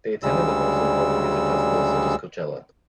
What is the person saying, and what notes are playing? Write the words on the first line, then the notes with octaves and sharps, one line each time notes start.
They attended the most important music festivals such as Coachella.
D2 C#3 G3 G#3 E6